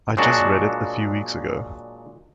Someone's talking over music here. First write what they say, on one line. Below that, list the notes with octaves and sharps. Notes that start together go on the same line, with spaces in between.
I just read it a few weeks ago.
A#2 F#3 G#3 D4 F#4